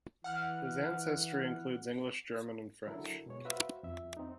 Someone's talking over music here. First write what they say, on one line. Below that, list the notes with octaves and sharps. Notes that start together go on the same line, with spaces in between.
His ancestry includes English, German, and French.
E3 F#5 F6 F#6
D3 F#3 E4 A4 A#4
B2 G#3 C#5
F#4 B4 C5 E5 F5
F2 E5
C4 D#4